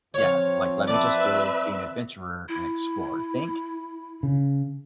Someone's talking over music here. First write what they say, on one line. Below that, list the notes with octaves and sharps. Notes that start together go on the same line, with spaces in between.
Yeah, like, let me just go be an adventurer and explore, think
F3 C4 C#5 F5
B4 D5 E5 A5
E4
C#3